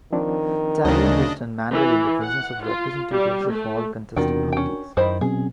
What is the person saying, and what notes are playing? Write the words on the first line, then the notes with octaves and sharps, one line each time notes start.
Tallying is done manually in the presence of representatives of all contesting parties.
D#3 F3 C4 D4
D2 C#3 F#3 C4 D4 D#4 D#5
E3
F#5
F4
G3
A3
E2 C3 D#3 D4 F4 F#4 A#4 G5
C#4 G5
F#2 D#3 E4 C5 D#5 B5
B2 F#3 C4 C#4 G#4